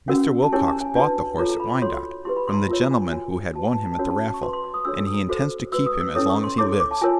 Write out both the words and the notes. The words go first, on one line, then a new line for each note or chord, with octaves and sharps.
Mr. Wilcox bought the horse at Wyandotte, from the gentleman who had won him at the raffle, and he intends to keep him as long as he lives.
C#4 F#4 A#4 F#5
A5
C#4 E4 G4 A#4 C#5 G#5
A#5
G#5
D4 F#4 B4 A5
F4 A4 C#5 A#5
A#5
B5
B5
F#4 A4 C#5 C6
E4 G4 B4 C6
B5
C6
A#5
B5
F4 A#4 C#5 A#5
G#5
F#4 A#4 C#5 G#5
F#4 B4 A5
A#5
A5
A#5
A5
C#4 F#4 A#4 C#5 A#5
A5
C#6
F#4 B4 C6
C6
C6
D#6
D4 F#4 A4 C#5 E6
D#6
F#4 A4 C5
F#4 B4 E6
D#6
E6
C#4 E4 A4 C#5 D#6
C#6
C6
E4 A4 C#5 D6
D6
A5
F4 A#4 C#5 G#5